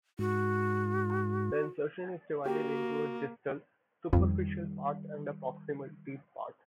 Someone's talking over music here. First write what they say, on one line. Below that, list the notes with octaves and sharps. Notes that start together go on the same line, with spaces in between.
The insertion is divided into a distal, superficial part and a proximal, deep part.
G#2 F#4
A#3 F#4 G4
F2 D#3 G3